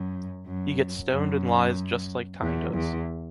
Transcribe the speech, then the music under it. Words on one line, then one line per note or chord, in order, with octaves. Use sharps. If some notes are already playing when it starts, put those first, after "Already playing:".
He gets stoned and lies just like time does.
Already playing: F#2
F#2
F#2
E2
E2